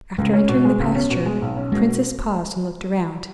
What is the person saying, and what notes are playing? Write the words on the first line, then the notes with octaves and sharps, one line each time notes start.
After entering the pasture, the princess paused and looked around.
C#2 G#3
C#4
B2
G#3
C#2
B3 C#4
B2
G#3
B1
C#4
B2 G#3